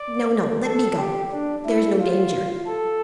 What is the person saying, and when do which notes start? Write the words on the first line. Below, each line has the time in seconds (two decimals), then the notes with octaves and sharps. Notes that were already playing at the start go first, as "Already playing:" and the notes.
"No, no, let me go, there's no danger."
Already playing: D5
0.65 A4
0.98 G4
1.32 D4
1.66 E4
2.00 F4
2.66 A4